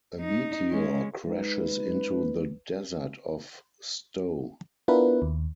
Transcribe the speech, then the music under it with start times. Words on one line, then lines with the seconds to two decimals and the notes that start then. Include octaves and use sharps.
A meteor crashes into the desert of Sto.
0.21 D#4
0.71 G#3 C#4
1.27 G#3 D#4 B4
4.88 B3 D4 E4 F4 A#4 B4
5.22 D#2